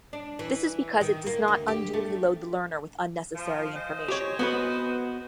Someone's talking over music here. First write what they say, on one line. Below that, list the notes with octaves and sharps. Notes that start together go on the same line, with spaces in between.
This is because it does not unduly load the learner with unnecessary information.
D4
E3
D#3
A#3
D2
G4
A3
F3
G#4 C5 D#5
G4 C#5
B3 F#4 B4